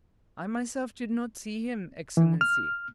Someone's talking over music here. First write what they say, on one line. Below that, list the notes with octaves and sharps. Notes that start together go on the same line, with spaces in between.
I myself did not see him, Excellency.
E3
F6